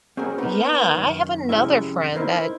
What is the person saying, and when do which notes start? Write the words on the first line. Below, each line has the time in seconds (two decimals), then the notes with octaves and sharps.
Yeah, I have another friend that
0.17 C4 C#4 F#4 G#4 A#4
0.38 A#3 B3 D#4 A#4
0.95 F#2 D#3
1.49 F2 C3 G#3 C#4 E4 E5
2.15 D#4 E4 A#4 C5 D#5